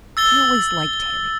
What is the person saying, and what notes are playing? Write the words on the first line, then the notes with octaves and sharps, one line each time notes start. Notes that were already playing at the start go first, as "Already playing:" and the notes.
I always liked Terry.
E6 A6 G7